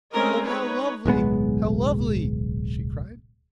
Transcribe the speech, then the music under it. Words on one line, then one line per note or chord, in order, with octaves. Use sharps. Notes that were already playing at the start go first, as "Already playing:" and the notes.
"Oh, how lovely! how lovely!" she cried.
G#3 A3 C4 C#4 A#4 D#5
D#4 B4 C#5
D1 B1 G#3 B3